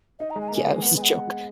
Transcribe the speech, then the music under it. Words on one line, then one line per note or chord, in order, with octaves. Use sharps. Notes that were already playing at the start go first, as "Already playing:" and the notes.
Yeah, it was a joke.
D#4 D#5
A#5
G#3
G#5
A#5
A#3 G#5
G#3
G#5
B3 F#5
G#3 G#5
F#5